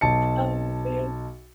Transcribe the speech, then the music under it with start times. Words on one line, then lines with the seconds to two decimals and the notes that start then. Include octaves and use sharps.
Oh, man.
0.01 B1 A5 C#7